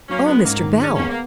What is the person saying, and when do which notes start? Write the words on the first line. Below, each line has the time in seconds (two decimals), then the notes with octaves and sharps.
'Oh, Mr. Bell!
0.09 F#3 A#3 C#4
0.27 G#3 B3 C#4
0.44 G#2 F#3 A#3
0.63 D#3
0.81 G#3 C#4
0.95 A#3 B3 C#4
1.09 A#3